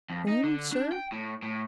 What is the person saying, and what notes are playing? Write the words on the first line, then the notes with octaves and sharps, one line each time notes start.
"Whom, sir?"
F2
D#4
D3
D4
G5
A2
A2